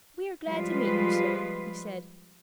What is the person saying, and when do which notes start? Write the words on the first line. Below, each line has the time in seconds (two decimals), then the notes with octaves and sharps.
"We are glad to meet you, sir," he said.
0.45 F3 G3 G#3 F4 B4